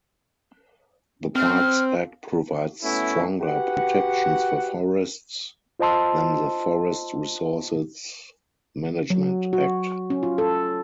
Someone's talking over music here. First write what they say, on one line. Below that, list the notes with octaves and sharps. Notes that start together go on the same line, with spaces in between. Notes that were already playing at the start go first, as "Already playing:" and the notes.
The Parks Act provides stronger protections for forests than the Forest Resources Management Act.
C4 F6
A3 B3 C#4 E4 F#4
F#4 G4 B4 F#5
F4 C5 D#5 A5 C6 E6
F#3
F#4
C#4
F4
A4